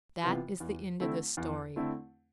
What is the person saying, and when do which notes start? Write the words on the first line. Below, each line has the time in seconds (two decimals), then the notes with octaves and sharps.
That is the end of this story.
0.23 C3 E3 B3 F4
0.60 E2
1.00 D3 A3 C4 E4
1.37 E2
1.76 D3 A3 C4 E4